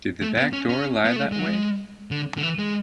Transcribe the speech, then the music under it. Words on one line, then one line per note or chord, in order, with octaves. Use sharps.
Did the back door lie that way?
A3
B3
C#4
C#4
B3
A3
G#3
F#3
G#3
D3
D3
E3
G#3